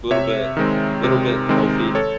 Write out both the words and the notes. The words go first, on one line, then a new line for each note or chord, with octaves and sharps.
Little bit little bit healthy,
C3 C#5 E5
D#3 G#3 C4
C3
D#3 G#3 C4
A4 C#5